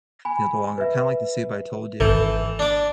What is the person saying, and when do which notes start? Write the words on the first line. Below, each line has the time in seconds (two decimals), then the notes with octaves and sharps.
you know, the longer kinda like the soup I told you,
0.25 G#5 B5
0.78 B4 E5
2.00 G#1 E3 A4 G6
2.59 D4 D6